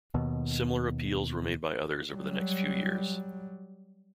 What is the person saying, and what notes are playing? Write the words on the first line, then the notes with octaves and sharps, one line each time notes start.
Similar appeals were made by others over the next few years.
D#2 B2
F#3 G3